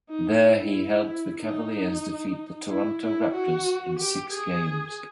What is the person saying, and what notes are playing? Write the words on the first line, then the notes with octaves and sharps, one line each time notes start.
There he helped the Cavaliers defeat the Toronto Raptors in six games.
D#4
E4
D#4
E4
E4
F#4
G4
G#4